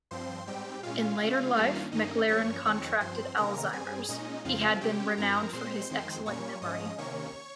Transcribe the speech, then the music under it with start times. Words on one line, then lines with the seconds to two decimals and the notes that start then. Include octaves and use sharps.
In later life, McLaren contracted Alzheimer's; he had been renowned for his excellent memory.
0.11 G2 F3 C4 C5 C6
0.47 G#2 G3 C4 G4 G5
0.83 A#2 G#3 C#4 F4 F5
1.19 C#3 G#3 C#4
1.55 G2 D#3 G3 A#3 C#4
1.92 G2 D#3 A#3 C#4 D#4 D#5
2.28 G2 F3 A#3 C#4 C#5 C#6
2.64 F2 D#3 G#3 C4
3.00 G2 F3 C4 C5 C6
3.36 C3 D#3 A#3 C#4 A#4 A#5
3.72 G2 G3 C4 G#4 G#5
4.09 A#2 G#3 C#4 D#4 D#5
4.45 F2 C#3 F3 C4 F4 F5
4.81 C3 G3 C#4 G4 G5
5.17 G2 F3 C4 A#4 A#5
5.53 A#2 G#3 C4 C5 C6
5.90 F2 D#3 G#3 C4
6.26 A#2 G3 A#3 C#4 C#5 C#6
6.62 G#2 F3 G#3 C#4 D#5 D#6
6.98 C3 D#3 A#3 C#4 C#5 C#6